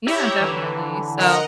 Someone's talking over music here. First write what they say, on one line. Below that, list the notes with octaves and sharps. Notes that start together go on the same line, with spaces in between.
Yeah, definitely, so.
E4 G4 C#5 E5 A#5
D3 E3
A#4 D#5 F#5 A#5